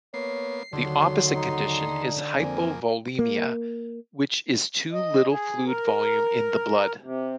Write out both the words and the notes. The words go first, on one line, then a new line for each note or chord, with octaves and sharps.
The opposite condition is hypovolemia, which is too little fluid volume in the blood.
A#3 B3 C#5 C7
D#2 D3 F#3 C6
D#4
F2 A#3 C4 G#5
A#3
D#5
G#4
A#4
C3